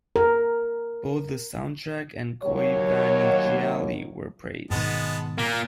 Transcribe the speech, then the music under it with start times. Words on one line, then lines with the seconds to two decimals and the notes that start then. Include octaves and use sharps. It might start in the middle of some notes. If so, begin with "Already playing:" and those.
Both the soundtrack and "Coi Vanni Gialli" were praised.
0.16 A#4
2.44 D#2 F#3 C#5
4.71 G#2 B2 D#3 G#3 B3 A5
5.38 A#2 A#3 A#4